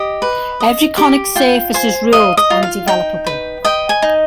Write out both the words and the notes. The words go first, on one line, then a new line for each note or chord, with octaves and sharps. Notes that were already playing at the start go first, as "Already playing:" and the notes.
Every conic surface is ruled and developable.
Already playing: G4 D#5
B4
D#5
G4
F4 G5
C5 G#5
D#5 F5
D#5
F4
F5
D#4 G5
B4
D#5 G5
G#5
D#4